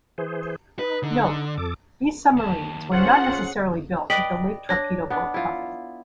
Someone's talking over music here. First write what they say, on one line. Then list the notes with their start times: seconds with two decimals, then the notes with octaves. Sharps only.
Note - these submarines were not necessarily built at the Lake Torpedo Boat Company.
0.18 E3 G#4 C5
0.79 D#4 B4
1.03 D3
1.57 F2 A4 D6
2.37 D#2 A5
2.92 C#4 F4 G#4 C5 F#5
4.10 B4 D5 D#5 G5 B6 F#7
4.69 D4 C#5 A#6
5.10 B3 D4
5.34 E4 F4